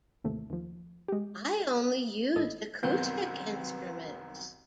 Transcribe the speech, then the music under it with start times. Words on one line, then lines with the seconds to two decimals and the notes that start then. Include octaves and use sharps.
I only used acoustic instruments...
0.24 A1 D#2 C3 A3
0.50 D#2 F3
1.08 G#3 G4
2.36 A1 E4 A4 D#5
2.83 C2 F#2 D#3 B3 C4 G6